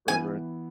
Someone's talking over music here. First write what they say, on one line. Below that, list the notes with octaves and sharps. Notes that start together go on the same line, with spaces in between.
Right, right.
E3 B3 G#5